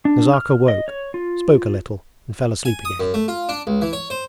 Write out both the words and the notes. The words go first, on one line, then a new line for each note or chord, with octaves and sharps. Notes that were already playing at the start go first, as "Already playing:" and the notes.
Nazarka awoke, spoke a little, and fell asleep again.
D4
F6
D#5
C#5
F4
G#5
D#6
F#2
A3
F4
D4
C#2
E3
C#5
C5